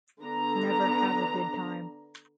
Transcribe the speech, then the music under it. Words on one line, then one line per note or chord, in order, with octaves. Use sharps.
Never have a good time.
D3 B3 D4 A#5